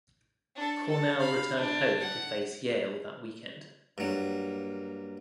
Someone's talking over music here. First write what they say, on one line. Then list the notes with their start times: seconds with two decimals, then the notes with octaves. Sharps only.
Cornell returned home to face Yale that weekend.
0.56 D4 A4
0.87 A4
1.20 F5 B5
1.56 D4
2.00 F#5
3.98 G2 F#3 A#3